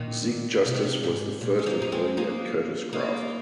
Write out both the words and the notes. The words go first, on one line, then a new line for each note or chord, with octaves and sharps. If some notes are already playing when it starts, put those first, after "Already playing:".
Zeke Justice was the first employee at Kurtis-Kraft.
Already playing: A#2 D#3
C3
D#3
C3
G#2
A#2
G#3
F3 A#3
D#4
G#3 C4
A#3 D#4
A#3 D#4